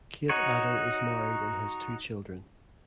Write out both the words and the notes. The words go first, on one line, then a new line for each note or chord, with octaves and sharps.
Kate Addo is married and has two children.
D#4 F#4 C#5